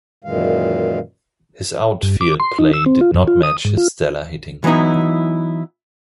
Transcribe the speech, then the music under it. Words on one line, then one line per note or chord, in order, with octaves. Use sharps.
His outfield play did not match his stellar hitting.
F#2 A#2 D#3 E3 G#3 F5
G2
D6
C6
D#4
E6
C4
F4
F#2
F4
D#6
G#2
F4
E3 F#3 B3 D#4 E4